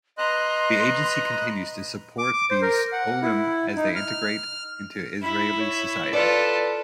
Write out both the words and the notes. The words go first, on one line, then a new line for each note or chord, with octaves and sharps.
The Agency continues to support these "olim" as they integrate into Israeli society.
B4 D#5 A#5 C6 F#6
D6
D6
C5
A#4
F#5
E4
D#4
F6
E4 B5
C#5
F4 A4 B4 D5